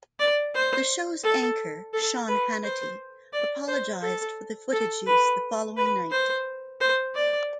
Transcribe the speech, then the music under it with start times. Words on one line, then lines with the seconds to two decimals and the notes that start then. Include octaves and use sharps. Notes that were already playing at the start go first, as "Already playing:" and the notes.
The show's anchor, Sean Hannity, apologized for the footage use the following night.
0.19 D5
0.54 C5
1.24 A4
1.93 A4
2.28 B4
2.63 C5
3.33 D5
3.68 C5
4.02 A4
4.72 A4
5.06 B4
5.77 B4
6.11 C5
6.81 C5
7.15 D5